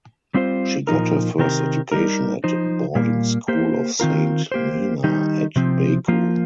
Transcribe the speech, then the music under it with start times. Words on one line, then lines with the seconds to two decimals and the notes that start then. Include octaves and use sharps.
She got her first education at Boarding School of Saint Nina at Baku.
0.34 G3 C4 F4 C5
0.87 A#2 F3 D#4 A#4
1.39 C3 D#3 C4 G4 A#4
1.92 G3 D#4 A#4
2.44 F3 D#4 C5
2.95 A#2 G3 A#3
3.48 A#3 G4 C5
4.00 D#3 C4 F4 A#4
4.52 A#3 G4 C5
5.04 D#3 G3 D#4
5.56 C3 F3 C4
6.08 F3 A#3 F4